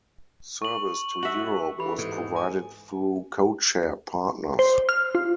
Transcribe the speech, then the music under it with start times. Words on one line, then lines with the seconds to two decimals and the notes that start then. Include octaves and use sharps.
Service to Europe was provided through codeshare partners.
0.62 C#6 F#7
1.23 F#4 E5 F#7
1.79 E3 G4 A4 B5
1.98 G#2
2.36 G#5
4.59 C5
4.89 F6
5.15 F4